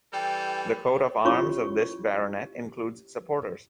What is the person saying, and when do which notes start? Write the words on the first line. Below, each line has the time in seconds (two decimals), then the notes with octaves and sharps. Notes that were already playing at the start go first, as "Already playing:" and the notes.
The coat of arms of this baronet includes supporters.
0.13 E3 G3 A4 G5
1.25 C#4 E4 F4 G4 C#5 C#6